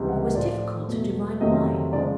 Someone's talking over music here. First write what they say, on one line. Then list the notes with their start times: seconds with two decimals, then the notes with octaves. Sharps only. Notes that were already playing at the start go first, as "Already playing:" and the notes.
It was difficult to divine why.
Already playing: C#2 C3 E3 G3
0.09 F#5
0.35 A2 F3 A3 D5
0.88 E2 B2 F#3 A3
1.40 F2 C3 D#3 F#3 A3 D#5
1.93 C#3 F3 G#3 D5